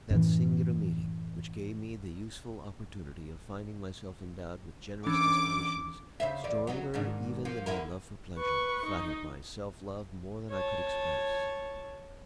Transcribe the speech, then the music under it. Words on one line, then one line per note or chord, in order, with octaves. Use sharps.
That singular meeting, which gave me the useful opportunity of finding myself endowed with generous dispositions, stronger even than my love for pleasure, flattered my self-love more than I could express.
F#2 A2 E3
E3 C#4 D4 D6
C#3 C5 E5
E2 D5
F#3 B3 D#4
G#2 D#3 D4
F3 A#3
D3 E4 A#4
B4 C#6
D#4
C#5 A5